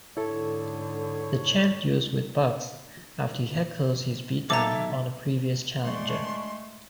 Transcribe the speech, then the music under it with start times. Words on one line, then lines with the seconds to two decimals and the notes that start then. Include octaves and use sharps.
The Champ duels with Bugs after he heckles his beatdown on a previous challenger.
0.17 G#2 D3 E4 A4 C#5
4.50 B1 A4 E5 A#5 D6
5.83 G#3 A3 D4 C6 C#6